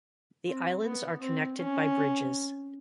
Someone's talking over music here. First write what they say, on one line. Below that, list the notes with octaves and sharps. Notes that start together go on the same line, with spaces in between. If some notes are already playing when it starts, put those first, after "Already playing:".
The islands are connected by bridges.
C4
B3
C4
C#4